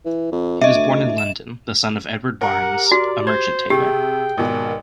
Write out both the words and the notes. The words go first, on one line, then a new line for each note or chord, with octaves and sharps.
He was born in London, the son of Edward Barnes, a merchant taylor.
E3
F2
G2 D#5 E5
D2
E7
G4 A#4 F#5
F#4 D5
C5 G#6
C3 G4 G#4 G5
G#1 B2 A#4